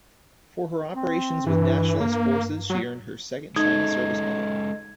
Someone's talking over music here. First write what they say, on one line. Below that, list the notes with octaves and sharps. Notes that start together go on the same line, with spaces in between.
For her operations with Nationalist Forces she earned her second China Service Medal.
C4
G2 E3
G2 A#3
F#3
G#3 C#4 D#4 A4 D#5 G#6